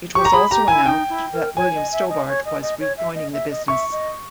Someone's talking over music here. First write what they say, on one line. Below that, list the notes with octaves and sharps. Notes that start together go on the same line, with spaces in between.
It was also announced that William Stobart was rejoining the business.
G4 C#6
A#5
G#4 B5
G4 A#5
E4 G#5
D#4 G5
E4
A#4
C#5 G#5
D#5
E5
D#5
C#5
D#5
D#5
C#5
E5
D#5
E5
D#5
E5 C#6
D#5